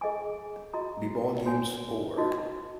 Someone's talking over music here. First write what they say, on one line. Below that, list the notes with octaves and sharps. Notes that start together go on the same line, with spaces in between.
The Ball Game's over!
G#4 D#5 G#5 C#6
F#4 D#5 A#5 C#6
F#4 C#5 G#5
D#4 F#4 D#5